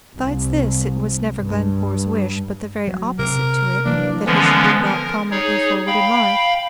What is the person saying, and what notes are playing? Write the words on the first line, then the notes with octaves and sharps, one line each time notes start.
Besides this, it was never Glencore's wish, but the very opposite to it, that he should be brought prominently forward in life.
C2
G2
F#3
C3 A#4
E3 F#3 A#3 D4
D3 E3 F3 G#3 B3 C#4
A#4
D#4 G#4 C#5
F5 G5 B5